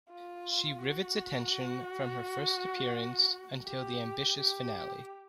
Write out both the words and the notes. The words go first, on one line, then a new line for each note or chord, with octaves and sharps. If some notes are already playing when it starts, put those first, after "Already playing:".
She rivets attention from her first appearance until the ambitious finale.
F4
F#4
G4
G4